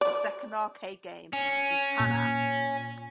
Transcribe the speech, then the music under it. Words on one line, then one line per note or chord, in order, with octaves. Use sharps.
The second arcade game, Detana!!
D5
C#4
A#2